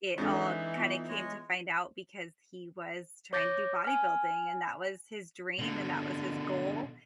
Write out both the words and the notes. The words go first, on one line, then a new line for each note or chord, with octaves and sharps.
it all kinda came to find out, because he was trying to do bodybuilding; and that was his dream and that was his goal,
G#2 D3 E3 C4 D#4 C#5
B3 F4
G#3 C#5 D#5
C#5 D6 G6 A6 A#6
G#5 F6
B2 D3